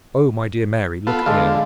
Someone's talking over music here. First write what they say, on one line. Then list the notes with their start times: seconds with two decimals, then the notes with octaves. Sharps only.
Oh, my dear Mary, look here!
1.07 B3 F4 A4
1.26 D3 G#3 A4 F5